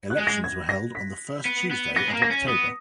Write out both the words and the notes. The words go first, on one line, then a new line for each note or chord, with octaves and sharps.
Elections were held the first Tuesday of October.
F#6
G#3
A#6
G#6
A#6
B6
B3
B3
B3 A#6
G#3
A#3
A#6
C#4
B3 D#6